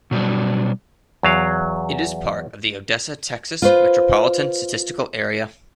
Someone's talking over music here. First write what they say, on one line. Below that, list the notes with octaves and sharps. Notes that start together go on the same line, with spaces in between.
It is part of the Odessa, Texas, Metropolitan Statistical Area.
B2 F#3 G3 D4
E2 F#3 F5
F4 B4 C5